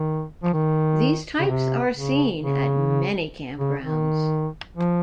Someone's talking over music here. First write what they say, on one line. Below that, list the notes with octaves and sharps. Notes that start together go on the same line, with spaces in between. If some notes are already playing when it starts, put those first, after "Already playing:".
These types are seen at many campgrounds.
Already playing: D#3
F3
D#3
C#3
C3
C#3
C#3
C#3
D#3
F3